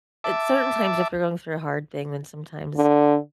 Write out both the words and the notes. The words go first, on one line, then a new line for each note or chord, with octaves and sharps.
at certain times, if you're going through a hard thing, then sometimes,
E5 A5 D6
D3